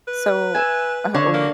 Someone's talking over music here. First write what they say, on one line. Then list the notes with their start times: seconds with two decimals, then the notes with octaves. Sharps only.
so, uh oh,
0.08 B4
0.55 E5 G#5
1.14 D3 C#5
1.34 A#3 F#4